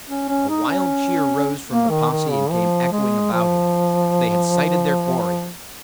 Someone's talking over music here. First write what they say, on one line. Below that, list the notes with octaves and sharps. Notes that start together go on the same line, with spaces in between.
A wild cheer rose from the posse and came echoing about him; they had sighted their quarry.
C#4
C#4
D#4
C#4
A#3
D#3
D#3
C#3
F3
G#3
F3